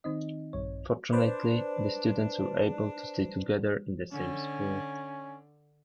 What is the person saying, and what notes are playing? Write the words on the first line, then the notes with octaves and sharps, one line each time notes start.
Fortunately, the students were able to stay together in the same school.
D#3 C4 D#4 D#5
A#1 G2 C#5
D4 B4 C5 D5
D3 C#4